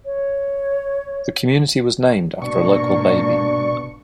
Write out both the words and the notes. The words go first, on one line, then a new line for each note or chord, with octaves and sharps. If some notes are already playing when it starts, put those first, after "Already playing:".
The community was named after a local baby.
C#5
G#2 B2 A#3 D4 D5 C#6